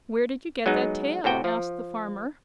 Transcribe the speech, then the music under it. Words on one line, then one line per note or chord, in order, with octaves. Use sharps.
"Where did you get that tail?" asked the farmer.
F#3 G#3 B3 D#4
A2 C3 F#4 G5
F3